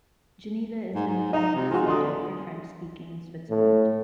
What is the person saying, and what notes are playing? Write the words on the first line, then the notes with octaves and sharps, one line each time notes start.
Geneva is the main media centre for French-speaking Switzerland.
G#2
G#2
D#4 D#5 A#5
C3
G#3 F4 F#4
D3 C6 D#6
A2